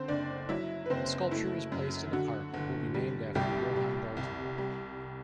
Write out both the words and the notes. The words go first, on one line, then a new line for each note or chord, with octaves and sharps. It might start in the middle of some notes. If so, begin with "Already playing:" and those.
The sculpture is placed in a park that will be named after Johan Galtung.
Already playing: D3 C4 C5
F#1 D4 D5
F#3 E4 E5
B4
F#1 C4 C5
A3 E4
F#2
D3 F#4
G1
G3
C2 G3 G4
G3
C2
G3